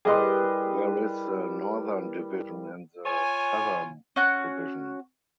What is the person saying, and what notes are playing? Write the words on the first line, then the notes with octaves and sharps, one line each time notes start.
There is the Northern Division and the Southern Division.
G3 E4 G4 G#4 A#4 B4 D#5 C6
F4 C#5 G#5
C#4 F#4 F#6